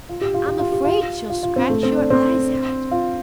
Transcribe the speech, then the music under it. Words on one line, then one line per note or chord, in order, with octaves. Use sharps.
"I'm afraid she'll scratch your eyes out."
F4
G4
F4
G4
F4
G4
F4
F4
F4
C4
A3
C4
D4
C4
F4